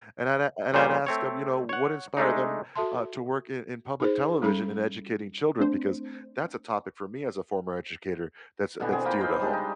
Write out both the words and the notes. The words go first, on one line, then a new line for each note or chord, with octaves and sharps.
and I'd and I'd ask 'em, you know, what inspired them, uh, to work in in public television and educating children because that's a topic for me as a former educator that's that's dear to home.
F2 A#2 G3 C5 G#5
A3 C4 C#5
C#5 F#5
G#3 A3 D4 D#4
F#4 A4 E5 A5 C6
D#4 G#4 C5
G3 C#4 A4 B5
A3 C4 D4 C5
B2 D3 E3 G4
C4 G#4 A5
A#3 F4 G5 B5
D#4 G#4 B4 C5
G3 G#3 D4 G4
D#4 C6